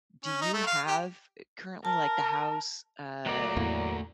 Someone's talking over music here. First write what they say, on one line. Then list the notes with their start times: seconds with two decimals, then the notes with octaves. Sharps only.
do you have currently, eh, like the house, uh,
0.25 C#4
0.41 D#4
0.53 A3
0.67 F5
0.87 G4
1.85 A#4 A5
3.26 F#3 A3 F#4 A#4 D5
3.57 E2 A2 A#3